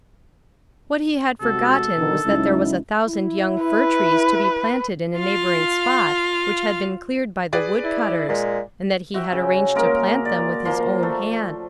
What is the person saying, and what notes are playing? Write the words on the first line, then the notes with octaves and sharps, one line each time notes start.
What he had forgotten was that there was a thousand young fir-trees to be planted in a neighboring spot which had been cleared by the wood-cutters, and that he had arranged to plant them with his own hands.
C3 G#3 F#4 A4
B2 D3 D#3
C#2 F#3 D#4 E4
E4
B4
F4 F5
G#4 B4 D5
E4
A#2 G#3
F#4 E5 G5
C#3
G#3 A#3 C#4 A#4
D5
F3 A#3 C6
A3